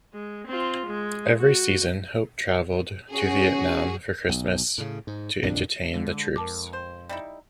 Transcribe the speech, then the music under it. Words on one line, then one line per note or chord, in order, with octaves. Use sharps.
Every season, Hope traveled to Vietnam for Christmas, to entertain the troops.
G#3
C4 F4
G#3
F#4
C#4 F#4 G#4
B1
A2 C#3
G#2
A#1 F2 D#3 D4
D3 G#3
F2 A#4 A5 D6
C5
G3 D#4 E4